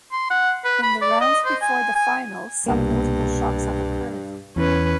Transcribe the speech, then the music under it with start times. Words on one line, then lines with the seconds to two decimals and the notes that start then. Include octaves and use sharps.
In the rounds before the final some notable shocks have occurred.
0.12 C6
0.31 F#5
0.65 B4
0.83 B5
1.02 D5
1.21 D#5
1.46 C5
1.62 G#5
1.96 G#5
2.66 C2 G2 B2 A#3
4.56 E2 E3 C#4 B4